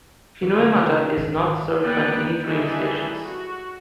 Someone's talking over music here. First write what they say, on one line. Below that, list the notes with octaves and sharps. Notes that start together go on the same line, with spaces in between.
Hinoemata is not served by any train stations.
E3
D3
C#3
G#1
A#3 B3 B4 D5 F#5 G5
E3 G3 D#4 G#4 A4
F#4